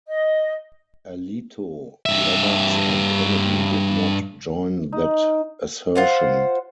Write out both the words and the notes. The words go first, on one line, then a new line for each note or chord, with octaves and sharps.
Alito, Roberts, and Kennedy did not join that assertion.
D#5
G2 E5
D#4
F4 C5 F#5